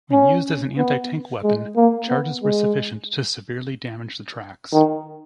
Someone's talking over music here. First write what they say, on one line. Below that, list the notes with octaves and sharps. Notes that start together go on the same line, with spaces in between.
When used as an anti-tank weapon, charges were sufficient to severely damage the tracks.
C#4
B3
G#3
A#3
B3
G#3
D#3